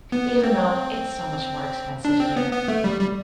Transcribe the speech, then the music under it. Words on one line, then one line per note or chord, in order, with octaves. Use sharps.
even though it's so much more expensive here.
B3
C4
D4
C4
B3
B3
A3
G3
G3